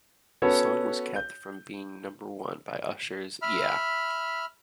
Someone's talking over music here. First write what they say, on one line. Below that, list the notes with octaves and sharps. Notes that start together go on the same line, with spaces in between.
The song was kept from being number one by Usher's Yeah!
B3 C#4 F#4 A4 C#5
G6
E5 B5 F6